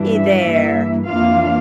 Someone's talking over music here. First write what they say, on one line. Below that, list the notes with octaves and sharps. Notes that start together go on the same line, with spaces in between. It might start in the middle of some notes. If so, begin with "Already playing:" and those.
Hey there.
Already playing: G2 E3 G3 D4
E5
G2 E3 A#3
F2 E3 A#3 D4 F4 F5